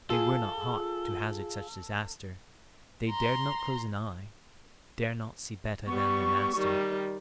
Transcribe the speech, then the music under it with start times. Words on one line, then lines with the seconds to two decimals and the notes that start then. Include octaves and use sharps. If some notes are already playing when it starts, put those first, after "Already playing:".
They were not hot To hazard such disaster; They dared not close an eye--dared not See better than their master.
0.10 F4 G#4 A4
3.09 A#5 C6
5.87 G3 B3 C#6
6.56 D#3 G3